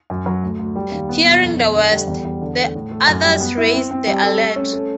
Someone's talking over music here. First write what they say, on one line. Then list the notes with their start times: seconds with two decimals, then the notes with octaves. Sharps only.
Fearing the worst, the others raised the alert.
0.10 F#2
0.26 F#3
0.43 D2
0.59 D2
0.76 G3
0.92 D#2
1.09 B3
1.25 B2
1.42 F2
1.58 F2
1.75 D3
1.91 G3
2.08 E2
2.25 E2
2.41 D3
2.58 A3
2.75 A2
2.91 A3
3.07 F#2
3.24 G3
3.41 B3
3.57 E4
3.73 C4
3.91 C4
4.07 G3
4.23 A4
4.40 A3
4.56 C#4
4.73 A3